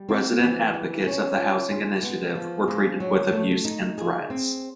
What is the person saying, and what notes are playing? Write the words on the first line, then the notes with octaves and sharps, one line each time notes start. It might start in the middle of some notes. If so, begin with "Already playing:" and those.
Resident advocates of the housing initiative were treated with abuse and threats.
Already playing: G3
C4
E3
G3
C#4
F4
G#3
B3
F3
G#3
F#3
A3
D#4
G#4
C4